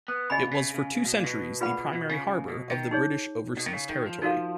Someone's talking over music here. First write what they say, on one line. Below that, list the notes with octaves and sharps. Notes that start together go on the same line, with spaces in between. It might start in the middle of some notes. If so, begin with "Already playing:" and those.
It was for two centuries the primary harbour of the British Overseas Territory.
B3
C#3 G#4 D#5 G#5 B5
B2
C#3
C#3
C#3
B2
A#2
B2
A#2 F4 G#4 B4 F#5 B5
B2
B2
C#3
C#3
B2
D#3
D#4 G#4 C#5
B2
D#3
C#3
D#3
F3
F3 D#4 F#4 A#4 F5